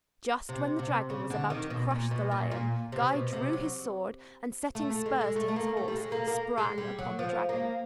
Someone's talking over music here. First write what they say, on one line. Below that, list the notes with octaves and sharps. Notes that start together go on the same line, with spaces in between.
Just when the dragon was about to crush the lion Guy drew his sword, and setting spurs to his horse, sprang upon the dragon.
C3
C3
C#3
D3
D#3
B2
A#2
B2
A#2
A#2
C3
B2
C3
F#3
A3
A3
G#3
G#3
A3
A3
A#3
A3
G3
G#3
A#3
A#3
G#3
G3
F#3
F3
A#3